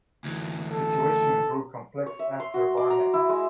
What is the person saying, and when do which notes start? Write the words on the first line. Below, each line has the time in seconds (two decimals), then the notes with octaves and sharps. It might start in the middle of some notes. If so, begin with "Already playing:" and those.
The situation grew complex after Barmen.
0.24 D2 E3
0.72 A4
2.06 C#5
2.19 E5
2.40 C6
2.54 F#4
2.77 D5
2.90 A#5
3.14 E4
3.29 G#3